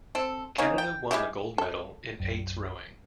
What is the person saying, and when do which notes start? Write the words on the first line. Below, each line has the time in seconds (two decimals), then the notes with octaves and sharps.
Canada won the gold medal in eights rowing.
0.15 C4 A4
0.58 A#3 C#4 D#4
0.78 G5
1.11 G#3 A#3 E4 G4
1.58 A4
2.20 B1 F#2